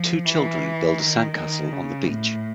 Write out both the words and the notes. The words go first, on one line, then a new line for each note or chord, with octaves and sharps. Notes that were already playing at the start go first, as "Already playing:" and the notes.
Two children build a sand castle on the beach.
Already playing: F3
E3
D#3
D#3
C#3
A2